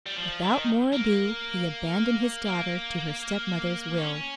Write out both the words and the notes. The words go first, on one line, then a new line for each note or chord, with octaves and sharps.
Without more ado, he abandoned his daughter to her stepmother's will.
G3
F3
D#3
A#3
A#3
C#4